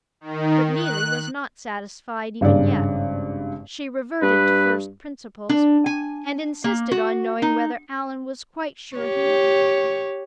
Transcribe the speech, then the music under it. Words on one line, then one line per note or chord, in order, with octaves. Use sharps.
But Neelie was not satisfied even yet. She reverted to first principles, and insisted on knowing whether Allan was quite sure he loved her.
D#3
F#6
G#1 G2 C#3 D5
G2 B4
D4
G#5
A#3
F#4
D#4
G4 C#5